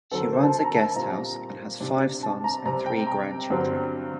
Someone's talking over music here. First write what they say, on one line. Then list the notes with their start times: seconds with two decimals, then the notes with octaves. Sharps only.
She runs a guesthouse and has five sons and three grandchildren.
0.11 D3 F#3 C4 A4
0.22 A#4
0.33 C5
0.43 A5
0.54 A5
0.64 A#5
0.75 A5
0.86 A5
0.96 A#2 G3 C4 A#5
1.80 C3 G3 D4
2.23 A5
2.44 A#5
2.66 C3 G3 C4 A#5
2.86 G5
3.07 A#5
3.50 G2 D3 F#3 C4